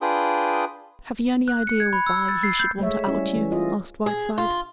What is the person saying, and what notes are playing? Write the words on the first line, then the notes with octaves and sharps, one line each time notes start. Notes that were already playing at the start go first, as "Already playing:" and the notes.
"Have you any idea why he should want to out you?" asked Whiteside.
D4 F4 G#4 B4 G5 D#6
F#6
C#7
G#6
B5
E6
A6
C7
G6
G#3 A3 C#5 E5
G3 C#4 E4
E3
F4 D#5
G#4
F4